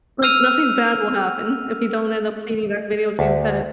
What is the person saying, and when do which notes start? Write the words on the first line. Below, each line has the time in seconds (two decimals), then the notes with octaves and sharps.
Like, nothing bad will happen if you don't end up cleaning that video game pet.
0.23 E6 F6 D#7 F7
3.19 D2